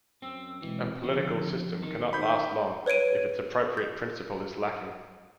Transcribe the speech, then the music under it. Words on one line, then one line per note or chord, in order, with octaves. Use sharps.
A political system cannot last long if its appropriate principle is lacking.
F#2 C4 E6
B2 E3 G#3 C4
D3 F3
B1 D#3
D#4 C5 B5 G6
B4 C#5 G#6 D7 D#7
G6